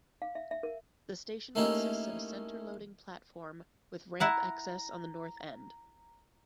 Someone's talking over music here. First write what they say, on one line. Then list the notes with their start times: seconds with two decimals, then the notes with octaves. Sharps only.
The station consists of a center-loading platform with ramp access on the North end.
0.22 F5
0.35 E5
0.51 E5
0.63 A#4
1.55 A3 A#3 C#4 D#4 E4 G4
4.20 E4 F#5 A5 A#5